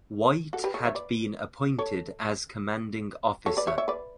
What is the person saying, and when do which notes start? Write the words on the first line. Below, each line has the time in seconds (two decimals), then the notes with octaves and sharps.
White had been appointed as commanding officer.
0.53 F#4 A4
0.64 G4 B4
0.74 A4 C#5
0.85 C#5 E5
0.95 B4 D5
1.79 A4 C#5
3.46 A4 C#5
3.57 B4 D5
3.67 C#5 E5
3.78 C#5 E5
3.88 B4 D5